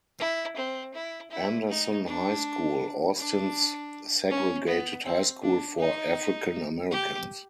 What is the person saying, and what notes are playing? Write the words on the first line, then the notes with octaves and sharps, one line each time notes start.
Anderson High School, Austin's segregated high school for African Americans.
E4
C4
E4
E4
D#4
D4
D4
C#4
B3
C4
D4
D#4
G4